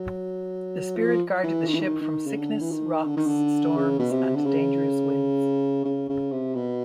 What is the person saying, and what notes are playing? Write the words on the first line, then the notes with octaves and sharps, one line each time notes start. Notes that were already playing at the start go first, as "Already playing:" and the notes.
The spirit guarded the ship from sickness, rocks, storms, and dangerous winds.
Already playing: F#3
F3
E3
D#3
E3
D#3
D#3
C#3
D3
E3
D#3
D3
D#3
D3
C#3
B2
C3
D3
C#3
C#3
C#3
C3
B2